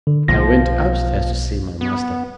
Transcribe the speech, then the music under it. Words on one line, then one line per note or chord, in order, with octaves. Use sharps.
I went upstairs to see my master.
D3
B1 A#2 F3 A#6
B3